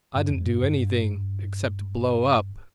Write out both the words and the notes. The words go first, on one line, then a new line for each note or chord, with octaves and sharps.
"I didn't do anything--except blow up."
G2
F2
G2
F2
G2
G2